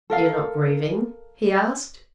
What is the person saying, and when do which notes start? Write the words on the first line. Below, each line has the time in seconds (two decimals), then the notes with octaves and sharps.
"You're not grieving?" he asked.
0.10 A4 A#4 F5